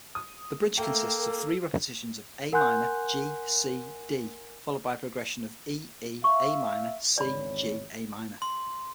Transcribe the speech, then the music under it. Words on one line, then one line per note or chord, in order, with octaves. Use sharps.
The bridge consists of three repetitions of Am-G-C-D followed by a progression of E-E-Am-C-G-Am.
D#6
A3 A#3 A4 G5
A#4
A#4 F#5 G#5 C6 F#6 G6
E5 F5 C#6
G#1 E2 C#5 D5 B5
C6